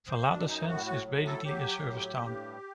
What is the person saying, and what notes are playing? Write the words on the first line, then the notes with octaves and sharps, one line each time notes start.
Viladecans is basically a service town.
C5
F#2 D4
D#4
A2 F#4
F#4
F#3
A4
F#3 G4
A2
G2